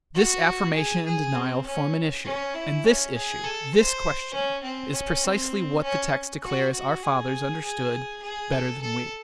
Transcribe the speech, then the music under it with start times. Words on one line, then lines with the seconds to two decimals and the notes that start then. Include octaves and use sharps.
This affirmation and denial form an issue, and this issue--this question is precisely what the text declares our fathers understood "better than we."
0.15 F#4
0.75 G#4
1.05 G#4
1.35 C4
1.66 C#4
2.24 C#4
2.54 E4
2.84 C#4
3.15 G#4
3.44 A4
3.75 C5
4.34 C#4
4.63 C4
4.94 C#4
5.23 C4
5.83 C#4
6.44 F#4
6.73 F#4
7.03 G#4
7.63 G#4
8.23 G#4
8.52 A4
8.82 A4